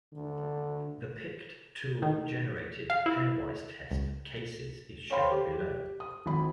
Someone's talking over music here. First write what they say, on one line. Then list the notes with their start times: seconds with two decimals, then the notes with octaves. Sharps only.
The pict tool generated pairwise test cases is shown below.
0.13 D3
2.02 D#3
2.90 F5
3.06 E4
3.91 C#2
5.10 C5 C#5 F5 G5 B5 C6
5.31 G4
6.00 D#6
6.26 G#1 B5